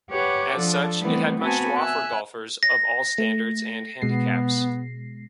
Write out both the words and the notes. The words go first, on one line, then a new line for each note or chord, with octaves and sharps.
As such, it had much to offer golfers of all standards and handicaps.
G4 B4 C#5 F#5 D6
F3 D4 A4
E3 G3 A3 B3 C4
B3 C4 F#4 G#5 A5 B5
E5 G#5 E6 F#6
A#6
A3
B2 G#3 B3 C7